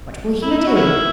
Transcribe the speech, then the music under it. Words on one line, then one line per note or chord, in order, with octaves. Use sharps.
"What will he do?"
E4
D#4
E4
F#4
G#3 C#4 E4